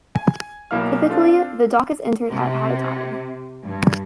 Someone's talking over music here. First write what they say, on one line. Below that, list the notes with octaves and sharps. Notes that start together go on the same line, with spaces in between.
Typically the dock is entered at high tide.
G#5
B1 A#3 E4 F5 F6
C4 D4 F4 A4
C3
G2